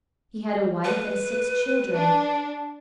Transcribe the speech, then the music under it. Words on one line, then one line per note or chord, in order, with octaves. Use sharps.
He had a wife and six children.
B4
D4